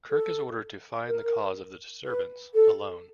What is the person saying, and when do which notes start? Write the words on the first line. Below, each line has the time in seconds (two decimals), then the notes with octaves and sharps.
Kirk is ordered to find the cause of the disturbance, alone.
0.10 A4
1.08 A#4
2.05 B4
2.54 A4